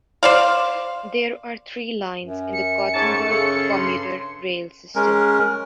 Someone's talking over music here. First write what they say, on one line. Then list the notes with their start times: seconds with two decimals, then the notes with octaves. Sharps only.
There are three lines in the Gothenburg commuter rail system.
0.23 C5 D5 F5
2.23 F#2
2.53 C#7
2.94 G#2 C#5 A5
3.30 C#3 A4
3.71 G2 C6
4.96 G#3 C#4 A#4